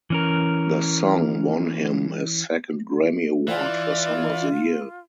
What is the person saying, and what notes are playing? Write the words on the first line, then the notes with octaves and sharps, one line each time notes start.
The song won him his second Grammy Award for Song of the Year.
E3 C#4 A#4
E3 F4 D5